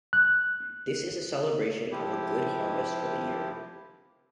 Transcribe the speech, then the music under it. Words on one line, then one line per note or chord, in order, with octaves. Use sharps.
This is a celebration of a good harvest for the year.
F#6
C3 F3 E4 G4